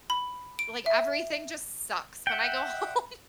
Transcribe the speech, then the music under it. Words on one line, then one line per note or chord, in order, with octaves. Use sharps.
like, everything just sucks when I go home,
B5
D7
E5
E5 F#5 G5